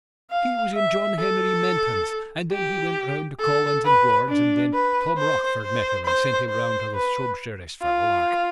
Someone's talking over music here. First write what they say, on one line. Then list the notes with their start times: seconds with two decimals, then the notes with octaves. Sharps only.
He was in John Henry Menton's and then he went round to Collis and Ward's and then Tom Rochford met him and sent him round to the subsheriff's for a lark.
0.31 F5
0.74 E5
1.19 A4
2.52 G4
3.40 A4
3.85 B4
4.29 D4
4.73 B4
5.17 C5
5.61 C5
6.05 C5
6.49 C5
6.95 B4
7.82 F4